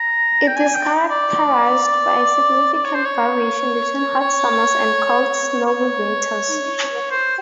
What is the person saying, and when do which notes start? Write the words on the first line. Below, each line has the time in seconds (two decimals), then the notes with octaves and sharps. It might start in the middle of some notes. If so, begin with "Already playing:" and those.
It is characterized by a significant variation between hot summers and cold, snowy winters.
Already playing: A#5
0.47 G5
0.56 G#5
0.74 G5
1.10 D5
2.74 D5
2.85 C#5
2.95 C5
3.06 C#5
4.20 C#5
5.66 C#5
7.11 C5